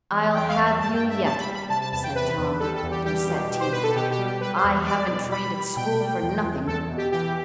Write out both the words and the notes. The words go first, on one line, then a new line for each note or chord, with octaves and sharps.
"I'll have you yet!" said Tom, through set teeth; "I haven't trained at school for nothing!"
E2
E2 G5
F5
E2
E5
G2 A5
G5
G2
E5
G3 A5
B5
G3
B5
C3 A5
A5
E2 A5
G5
C3 B4
E2
G3 A4
A4
E2
G4
G3 G4
B2
B2
C5
B2 B4
A4
B2 G4
G4
G3
G4
G3 B4
C5
E2
G3 D5
B2
G3 B5
G3
B2 G5
G3
E2
E2
E2 A4
B2
G4
E3 G4